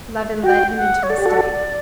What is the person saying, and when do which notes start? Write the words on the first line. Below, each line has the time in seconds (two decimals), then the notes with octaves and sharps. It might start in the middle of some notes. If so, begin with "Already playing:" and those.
Levin led him into his study.
0.43 F#4 G5
0.77 F#5
1.03 C#5
1.10 A4 D5
1.18 G4
1.26 F#4 A4